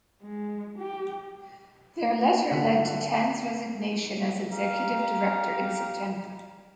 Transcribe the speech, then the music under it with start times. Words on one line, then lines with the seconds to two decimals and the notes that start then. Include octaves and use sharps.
Their letter led to Tan's resignation as executive director in September.
0.23 G#3
0.78 G4 G5
2.51 G#1 D3 F4 F#5 B6
4.52 G4 F5 A#5